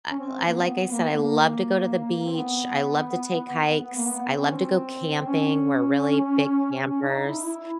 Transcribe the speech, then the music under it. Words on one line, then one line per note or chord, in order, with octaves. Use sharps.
I I like I said, I love to go to the beach, I love to take hikes, I love to go camping. We're really big campers,
C#4
C4
A#3
B3
A#3
B3
A#3
C4
B3
B3
A#3
B3
C4
C#4
C4
C#4
C#4
C#4
D4
D#4
E4
E4